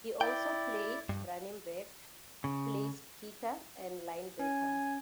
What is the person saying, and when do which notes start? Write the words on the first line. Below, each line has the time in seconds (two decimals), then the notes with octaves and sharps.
He also played running back, placekicker, and linebacker.
0.21 E4 D5 G5
1.09 G2
2.44 C#3
4.39 C#4 G#5